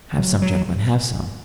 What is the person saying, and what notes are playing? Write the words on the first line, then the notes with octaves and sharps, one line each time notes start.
"Have some, gentlemen, have some!"
F#3
F#3